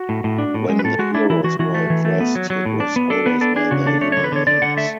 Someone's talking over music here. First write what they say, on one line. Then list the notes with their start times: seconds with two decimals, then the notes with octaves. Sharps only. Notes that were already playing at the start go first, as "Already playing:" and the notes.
When the heroes were addressed it was always by their human names.
Already playing: F#4
0.09 A2
0.24 A2
0.38 D4
0.54 A2
0.69 G#3
0.79 B4
0.84 A2 A4
0.99 G#3 F#4
1.15 D4 E4
1.30 E3 E4
1.44 E3 F#4
1.59 E3 F#4
1.74 A3
1.90 E3
2.05 A3
2.20 B3
2.35 F#3
2.50 F#3
2.66 A2
2.80 D4
2.96 B3
3.10 D4 A4
3.26 B3 B4
3.41 D4 A4
3.56 D4 G#4
3.71 C#3 F#4
3.86 D4 A4
4.01 A3 C#5
4.12 D3 C#5
4.24 B4
4.32 D3 C#5
4.47 D3 D5
4.62 D3 F#5
4.77 A3 E5